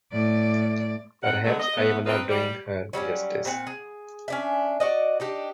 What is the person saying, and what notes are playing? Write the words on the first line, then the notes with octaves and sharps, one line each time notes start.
Perhaps I am not doing her justice.
A2 D5
C4 A#4 F#5
D3 F#3 G#3 A3 B3
D#5
A3 B3
C4 D#4 F4 B4
G3
F#3 G3 A#3 C#4
A#2 C4 D#4 F#5
G#4
C#4 D4 E5
F#4 D5 D#5
D4 D#4 G4